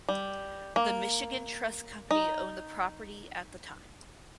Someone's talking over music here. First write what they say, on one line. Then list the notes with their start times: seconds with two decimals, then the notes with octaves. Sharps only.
The Michigan Trust Company owned the property at the time.
0.09 G3
0.76 A#3
2.11 D#4